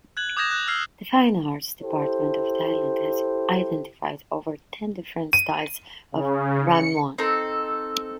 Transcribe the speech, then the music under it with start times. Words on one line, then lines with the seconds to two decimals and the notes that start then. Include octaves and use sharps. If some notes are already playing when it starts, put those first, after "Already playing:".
The fine arts department of Thailand has identified over ten different styles of "ramwong".
0.17 F#6 G#6 F#7
0.37 D6 D#6 G6 G#6 A#6 E7
0.51 F#6
0.67 E6 F6 G#6 C7
1.82 E4 G4 A4 C5
5.33 D#7
6.12 C#3
6.69 C#7
7.18 C4 D#4 A4